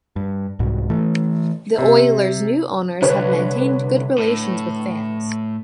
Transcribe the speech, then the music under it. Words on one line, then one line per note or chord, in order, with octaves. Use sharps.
The Oilers' new owners have maintained good relations with fans.
G2
C2 G#2 B2
E3 A3
C3
C2 D3 B4 C#5
A2